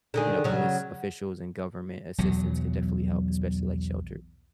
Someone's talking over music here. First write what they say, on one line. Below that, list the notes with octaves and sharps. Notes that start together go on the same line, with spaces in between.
you know, police officials and government assistance can definitely help, especially like shelter.
D3 D#3 G#4
C#3 F#3
B1 E2 F#3